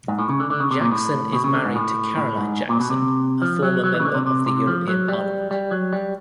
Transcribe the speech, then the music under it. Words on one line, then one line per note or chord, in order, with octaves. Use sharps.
Jackson is married to Caroline Jackson, a former Member of the European Parliament.
G#2
A2
C#3
D3
D3
C#3
C3
A#2
A2
B2
C#3
D3
G#2
A2
A2
G#2
A#2
B2
C3
F3
F#3
F#3
E3
C#3
D3
C3
C3
C3
F3
F#3
G3
G3
F#3
G3